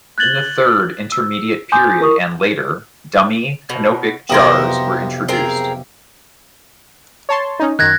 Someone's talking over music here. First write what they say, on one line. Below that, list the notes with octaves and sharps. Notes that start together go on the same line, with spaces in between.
In the Third Intermediate Period and later, dummy canopic jars were introduced.
F#6 G#6 A6 F#7 G7
E6
G#5 C6 D6 D#6 G6
E4 A#4 C#6 D#6
B2
B1 F2 C3 B3 A#4 C5
C4 G#4 A#4
C#5 A5 C6
C#4 D#4
F#2 D#3 F#6 G#6 A#6